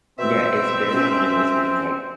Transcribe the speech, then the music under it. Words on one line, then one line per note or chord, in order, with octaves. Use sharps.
Yeah, it's very unrealistic. It's, like,
B2 C4 E5
C#4